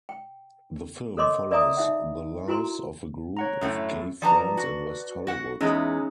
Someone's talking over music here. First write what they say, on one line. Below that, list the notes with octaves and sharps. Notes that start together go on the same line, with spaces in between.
The film follows the lives of a group of gay friends in West Hollywood.
G5
A4 A#4 C#5 D#5 C6 D6
A#4 D5 E5 G#5 A#5 D#6
D#4 E5 F#5
E4 F#4 A#4 G#5 A#5 C6
C#5 F#5 A#5
F#2 A2 A3
F3 B4 D5 A5 A#5
F#4
F#4 F#5
E2 G#3 C#4 D#4 G#4